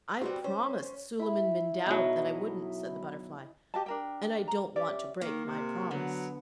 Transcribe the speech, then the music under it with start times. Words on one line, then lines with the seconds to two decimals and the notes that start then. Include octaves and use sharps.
'I promised Suleiman-bin-Daoud that I wouldn't,' said the Butterfly, 'and I don't want to break my promise.'
0.21 G3 B3 C4 F#4
0.44 C#4 C5
1.19 E4 B5
1.87 B1 F#3 E4 D#5
3.74 G4 D#5 A5
3.86 D4 A#4 G5
4.48 A#5
4.76 C#4 G4 D5 E5
5.21 D#3 A#3
5.45 C3
5.91 D3 F#3 B3